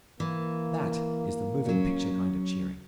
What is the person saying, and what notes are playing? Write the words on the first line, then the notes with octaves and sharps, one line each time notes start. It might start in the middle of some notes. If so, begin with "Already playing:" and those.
That is the moving picture kind of cheering.
E3 A#3
F#3 C#4